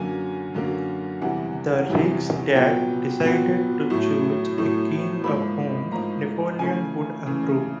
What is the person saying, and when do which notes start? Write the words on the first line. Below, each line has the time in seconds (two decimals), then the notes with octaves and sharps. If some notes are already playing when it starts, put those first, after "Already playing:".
The Riksdag decided to choose a king of whom Napoleon would approve.
Already playing: F#2 D3 F#3 A#3 G#5
0.55 F#2 D3 F#3 A#3
1.21 E2 C3 E3 G3 F#5
1.89 E2 C3 E3 G3
2.55 A#2 F#3 B3 G5
3.23 A#2 F#3 B3
3.90 A2 F#3 A3
4.58 A2 F#3 A3
5.24 G#2 F3 A#3 B5
5.92 G#2 F3 A#3 A#5
6.59 C#3 E3 A3 G#5
7.26 C#3 E3 A3